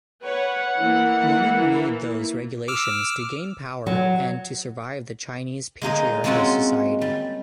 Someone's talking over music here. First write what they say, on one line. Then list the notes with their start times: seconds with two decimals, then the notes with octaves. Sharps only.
Women need those regulations to gain power and to survive the Chinese patriarchal society.
0.23 B4 C#5 F#5
0.79 E3 A#3 E4
2.68 D6 E6 F6
3.87 F#3
5.81 G#3 A#3 D#4 D#5
6.24 G#3 A#3 C4 C#4 F4 F#4
7.01 G3